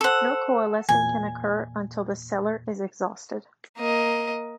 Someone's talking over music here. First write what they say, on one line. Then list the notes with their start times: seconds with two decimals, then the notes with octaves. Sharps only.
No coalescing can occur until the cellar is exhausted.
0.01 A4 C5 F#5 E6
0.89 E2 A#2 G#5
3.78 A#3 D#5